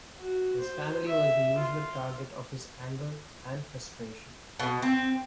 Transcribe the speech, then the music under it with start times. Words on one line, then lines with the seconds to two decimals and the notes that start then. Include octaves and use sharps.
His family was the usual target of his anger and frustration.
0.19 F#4
0.60 C5
1.07 E5
1.57 F4
4.59 B2
4.82 C4